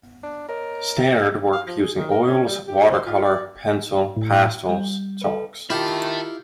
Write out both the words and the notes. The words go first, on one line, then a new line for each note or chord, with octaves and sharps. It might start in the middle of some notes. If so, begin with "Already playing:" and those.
Stannard worked using oils, watercolour, pencil, pastels, chalks.
D4
A#4 C#5 D#5
E5 G5 A6
F5
F3
G#4
D#3
A#4
C#4
G3
G4
C5
F4
D5
A2
G3
A4 B4
D#3 E4 F4 G4 E5 A5